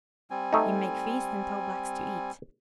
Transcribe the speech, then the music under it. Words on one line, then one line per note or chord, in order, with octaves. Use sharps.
He make feast and tell Blacks to eat.
G3 C4 G#5
A3 D#4